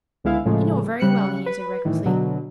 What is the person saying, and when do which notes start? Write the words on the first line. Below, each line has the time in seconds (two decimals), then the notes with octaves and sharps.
"You know very well," he answered recklessly.
0.24 C#2 D3 G#3 B3 E4 F5
0.46 A2 C#3 F3 G#3 A3
1.00 C#3 G3 F#6 C#7
1.46 B4
1.85 A2 D#3 E3
2.06 B2 D3 F#3